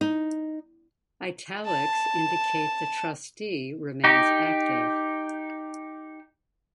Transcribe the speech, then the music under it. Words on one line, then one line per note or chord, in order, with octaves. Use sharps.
"Italics" indicate the trustee remains active.
D#4
A5
D#4 G4